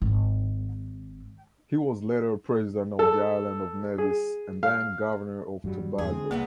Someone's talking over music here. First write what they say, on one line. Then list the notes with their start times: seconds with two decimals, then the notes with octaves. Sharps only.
He was later President of the island of Nevis and then Governor of Tobago.
0.02 G#1
2.99 A4
3.98 G#4
4.63 F5
5.64 G2 F#3 G3
5.98 E2 G#2 G#4
6.11 D3 G#3 C4
6.31 C2 A#2 E3 A#3 B3